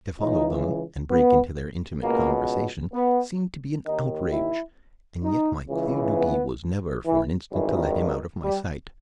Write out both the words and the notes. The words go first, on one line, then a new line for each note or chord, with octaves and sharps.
To follow them and break into their intimate conversation seemed to be an outrage, and yet my clear duty was never for an instant to let him out of my sight.
C#2 C#3 E3 D#4
B3
C#2 B2 A#3
B3
D#2 D#3 D#4
E4
D#4
C#2 C#3 E3
B3
E3
G#1 G2 D#3 E3
G3